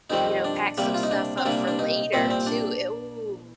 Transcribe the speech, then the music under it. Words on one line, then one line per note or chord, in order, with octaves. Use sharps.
you know, pack some stuff up for later, too." E Ooh,
F2 D#3 G3 C4 D#4
D4
C2 C3 G3 A#3
F4
D#4
D4
C4
C2 C3 G3 A#3 D4
D4
D#4
C2 A#2 G3 C4
C4
D4